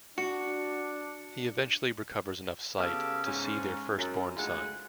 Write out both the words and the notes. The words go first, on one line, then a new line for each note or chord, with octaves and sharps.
He eventually recovers enough sight to see their firstborn son.
D4 F#4 C#7
C#3 B3 G4 A4 F5
G#2 C#4
F#2
D2 G#2 C#3 G#3 F4 F#5